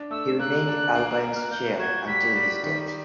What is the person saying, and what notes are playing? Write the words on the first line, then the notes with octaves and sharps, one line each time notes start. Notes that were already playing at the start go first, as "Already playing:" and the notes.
He remained Albion's chair until his death.
Already playing: D4
A3 E6
A#3 F#6
D4
A#3
A#3
F6
F#6
A#3 G6
F#4 G#6
G3 B6
G3
D#3